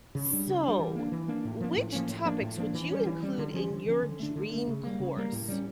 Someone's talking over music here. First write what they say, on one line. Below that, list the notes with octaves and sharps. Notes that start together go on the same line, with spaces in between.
So, which topics would you include in your dream course?
C#3
G3 D4
C#3
G3 D4
E3
A#3 D4
E3
A#3 D4
A2
F3 A#3 C#4
A2
F3 A#3 C#4
A2
F3 A#3 D4
A2
F3 A#3 D4
E3
G3 C#4
E3
G3 C#4
D3
F3 C#4
D3
F3 C#4
D3
A3 D4
D3
A3 D4
C#3
G3 A#3
C#3
G3 A#3
A2
G3 C#4